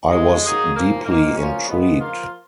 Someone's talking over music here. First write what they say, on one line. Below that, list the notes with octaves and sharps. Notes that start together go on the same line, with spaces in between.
I was deeply intrigued.
C#3 F3 G#3
F#3 A#3 D#4 G#4
A#2 F3 A#3
G#2 D#3 A#3
F3 A#3 C#4
F3 G#3 B3
F3 A#3 F4